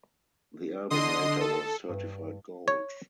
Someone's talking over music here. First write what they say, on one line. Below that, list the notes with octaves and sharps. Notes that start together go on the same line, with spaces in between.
The album later was certified gold.
D3 D#5 C6 D#6
A4
G2
C#5